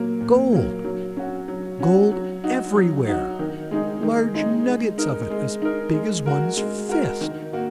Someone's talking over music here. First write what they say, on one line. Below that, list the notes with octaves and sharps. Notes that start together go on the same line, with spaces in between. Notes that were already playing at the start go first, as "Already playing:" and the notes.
Gold--gold everywhere; large nuggets of it, as big as one's fist!
Already playing: A#2 F#3 A#3
A#2
F#3 A#3
F#3
C#4 F#4
F#3
C#4 F#4
F#3
D#4 F#4
F#3
D#4 F#4
D#3
G#3 D#4 G#4
D#3
G#3 D#4 G#4
G#3
D#4 A#4
G#3
D#4 A#4
G#3
F#4 A#4
G#3
F#4 A#4
D#3
A#3 F#4